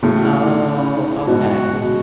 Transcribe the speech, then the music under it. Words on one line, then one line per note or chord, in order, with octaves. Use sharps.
Oh, okay.
A2 C#3 F#4
F#4
E4
D#4
C#4
C#4
D#4
E4
G#2 B2 F#4
C#3
B2